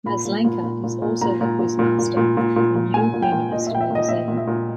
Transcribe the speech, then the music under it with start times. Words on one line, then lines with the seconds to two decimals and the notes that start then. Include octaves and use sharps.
Maslanka is also the quizmaster for "New Humanist" magazine.
0.06 A#2 B5
0.25 A#2
0.44 A#2
0.64 A#2
0.83 A#2
1.02 A#2
1.21 A#2 A#5
1.41 A#2
1.59 A#2
1.79 A#2
1.98 A#2
2.17 A#2
2.37 A#2
2.56 A#2
2.75 A#2
2.94 A#2 G#5
3.14 A#2
3.22 G5
3.32 A#2
3.51 A#2 D#5
3.67 E5
3.71 A#2 G5
3.81 E5
3.91 A#2 D#5
4.09 A#2 E5
4.28 A#2
4.37 E5
4.47 A#2